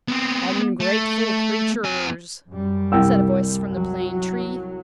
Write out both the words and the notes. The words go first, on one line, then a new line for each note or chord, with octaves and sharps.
"Ungrateful creatures!" said a voice from the Plane Tree.
B3 C4
A3
F2 G#5
F#2 G3
C2 G5 E6
F#3